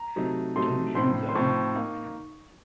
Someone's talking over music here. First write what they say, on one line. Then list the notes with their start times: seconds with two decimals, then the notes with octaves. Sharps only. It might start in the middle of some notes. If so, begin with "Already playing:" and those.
Don't you, though!
Already playing: A#5
0.16 C3 F#3 A3 D#4
0.55 C3 F#3 A3 D#4 C6
0.95 A2 F3 C4 D#4 C6
1.29 C6
1.35 A2 F3 C4 D#4 C#6
1.74 A#3 D#4